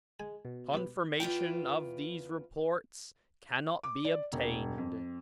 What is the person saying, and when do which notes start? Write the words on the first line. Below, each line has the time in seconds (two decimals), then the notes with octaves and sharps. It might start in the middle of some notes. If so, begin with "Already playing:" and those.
Confirmation of these reports cannot be obtained.
0.20 G#3 G#5
0.45 B2
0.74 G3 G4 B4
1.20 E2 F4 B4 G5
3.83 D6
4.05 D5
4.33 E1
4.78 F2